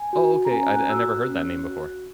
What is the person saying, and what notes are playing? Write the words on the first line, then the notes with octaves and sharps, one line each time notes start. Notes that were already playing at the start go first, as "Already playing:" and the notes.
Oh, okay, I'd I never heard that name before.
Already playing: G#5
F#4
A#5
C#4 G#5
F#6
F#4 E6
F#6
C#4 F#6
F#4